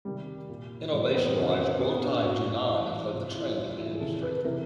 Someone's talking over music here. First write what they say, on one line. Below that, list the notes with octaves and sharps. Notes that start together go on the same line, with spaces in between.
Innovation-wise, Guotai Junan has led the trend in the industry.
C3 D#3 G3
A#2
A2 E3 G3
A#3
C4
B3
C4
C3 D#3 C#4
B3
C4
A#2 B3
B3
D4
C#4
A#2 F#4
A2 E3
C3 E3 F4
E4
A2 E3 F4
E4
G#4
C3 D#3 A4
B4
B4
C3 E3 A#4